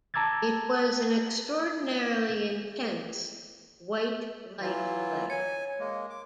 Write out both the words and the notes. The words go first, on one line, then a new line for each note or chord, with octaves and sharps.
It was an extraordinarily intense "white light flare".
A5 A#5 D6 E6 G#6 A6
E3 F#3 F4
C#5 G#5
G#3 A#3
D6